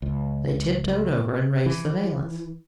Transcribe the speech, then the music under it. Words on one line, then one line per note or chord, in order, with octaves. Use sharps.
They tiptoed over and raised the valance.
C#2
E3